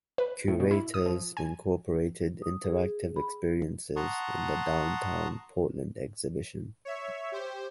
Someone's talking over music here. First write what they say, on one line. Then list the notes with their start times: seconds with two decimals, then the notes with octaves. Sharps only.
Curators incorporated interactive experiences in the downtown Portland exhibition.
0.18 B4
0.48 A2
0.60 B2
0.71 E4
0.94 D#6
1.06 F3
1.37 G#5
2.42 D#6
2.64 G#4
3.16 B5
3.96 F#5 A5 A#5 C6 C#6 D#6
6.85 C#5 E5
7.32 G4 C5